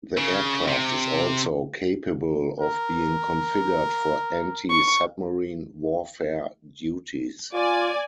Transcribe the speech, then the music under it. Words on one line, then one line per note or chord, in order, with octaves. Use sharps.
The aircraft is also capable of being configured for anti-submarine warfare duties.
C#3
C3
A#4
C#6
F4 D5 G#5